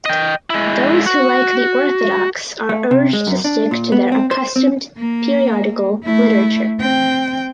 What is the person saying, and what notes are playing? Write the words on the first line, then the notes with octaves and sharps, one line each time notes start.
Those who like the orthodox are urged to stick to their accustomed periodical literature.
D#5 G5
G#3 E4
F#4
A3
C3
G#3
F#2
D4
A#2
B3
C4
C5
C4
A#3
A3 E4
C4 G5